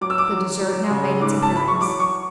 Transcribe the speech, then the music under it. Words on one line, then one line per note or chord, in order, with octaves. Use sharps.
The dessert now made its appearance.
F#3 D6
E6
D6
F#3
F#3
C#3
G#2 D6
A5
E3 B5
C#6
F#3 D6
C#6